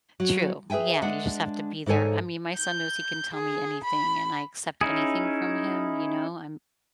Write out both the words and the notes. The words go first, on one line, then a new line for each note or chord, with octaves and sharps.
True, yeah, you just have to be there, I mean, my son knows he can tell me anything, and I accept anything from him you know, I'm
F#3
G#4 B4 E5 G5 G#5
G#3 D4 F#5
G#2 D#4 A4 C#5 G#5
G6
G#4
B5
C#4 D#4 E4 G#4